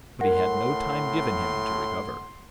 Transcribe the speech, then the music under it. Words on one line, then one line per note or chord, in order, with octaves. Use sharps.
But he had no time given him to recover.
A2 A#4 F#5 C6